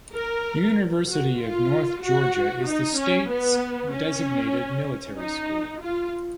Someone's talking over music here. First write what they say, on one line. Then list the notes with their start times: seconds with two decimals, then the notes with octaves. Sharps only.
University of North Georgia is the state's designated military school.
0.13 A#4
1.07 F#4
1.39 F4
2.02 F#4
2.65 D#4
2.96 C#4
3.28 B3
3.91 C#4
5.17 D#4
5.80 F4